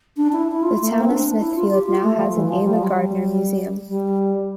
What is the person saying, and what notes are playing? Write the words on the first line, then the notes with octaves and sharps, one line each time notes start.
The town of Smithfield now has an Ava Gardner Museum.
D4
E4
E4
F4
A3
A#3
C4
D4
E4
F4
G4
F4
A3
F3
E3
F3
G3
F3
G3
G3